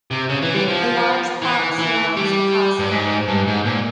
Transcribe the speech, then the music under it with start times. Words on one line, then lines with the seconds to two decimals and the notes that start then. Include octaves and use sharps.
A large park surrounds the castle.
0.11 C3
0.29 C#3
0.43 E3
0.55 G3
0.68 F3
1.42 E3
1.79 E3
2.17 G3
2.79 G2
2.91 G#2
3.28 G2
3.47 G#2
3.65 A#2